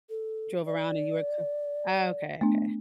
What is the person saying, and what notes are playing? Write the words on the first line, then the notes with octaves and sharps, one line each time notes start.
drove around and you were co Oh, okay, okay.
A4
D5
A3 B3 D4